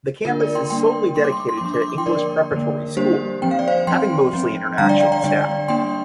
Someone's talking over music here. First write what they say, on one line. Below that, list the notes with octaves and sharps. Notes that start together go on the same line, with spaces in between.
The campus is solely dedicated to English preparatory school having mostly international staff.
D3 A#3 D4 F4 A#4
A#4 D5
G5 C6
G3 A#3 D4 G5 C6
G3 A#3 D4 C6
D6
C6
D6
C6
D6
F3 A#3 D4 C6
D6
C6
D6
G5 C6
D3 A#3 D4 A#4 D5
D3 F3 A#3
G3 A#3 D4 G4 C5
F3 C4 G5
F5
D5
C5 F5
F3 C4 G5 C6
F3 C4
D3 G3 D4 F5 A#5
D5 G5
D5 G5
D5 G5
D3 G3 D4 D5 G5
G3 A#3 D4 G5 C6